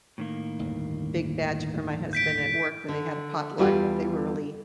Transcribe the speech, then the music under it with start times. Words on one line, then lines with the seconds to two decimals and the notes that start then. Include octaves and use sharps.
a big batch for my husband at work when they had a potluck. They were really
0.18 A2 D#3 A#3
0.59 G1 D#2
2.13 G6 B6 D7
2.88 D3
3.58 E2 G3 F4 G4